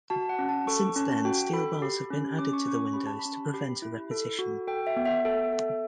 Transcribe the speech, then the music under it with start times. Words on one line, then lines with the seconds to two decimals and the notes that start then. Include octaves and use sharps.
Since then steel bars have been added to the windows to prevent a repetition.
0.10 F#4 A5
0.29 F#5
0.39 C#4
0.49 A5
0.67 A4 C#6
0.96 C#4 A5
1.25 F#4 G5
1.53 A4 B5
1.82 G4
2.10 C#4
2.39 C#4 D6
2.53 C#6
2.67 C#4 C#6
2.81 C#6
2.94 G4 B5
3.07 A5
3.19 B5
3.25 C#4
3.54 G4 B5
3.82 E4
4.11 A4
4.39 F#4
4.67 A4 G5
4.87 E5
4.97 B3
5.05 E5
5.25 A4
5.53 A4